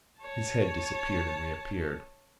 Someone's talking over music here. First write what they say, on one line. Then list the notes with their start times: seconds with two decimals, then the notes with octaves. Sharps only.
His head disappeared and reappeared.
0.20 C#5 A5